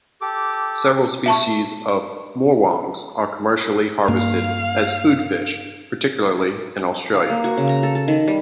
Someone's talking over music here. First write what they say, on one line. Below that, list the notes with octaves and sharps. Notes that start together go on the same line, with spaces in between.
Several species of morwongs are commercially harvested as food fish, particularly in Australia.
G4 A4 D6
E5 A5 C#6
G2 A#3 F5
F5
A#3
F#4
C#3
A#5
A4
A4
D#3
G3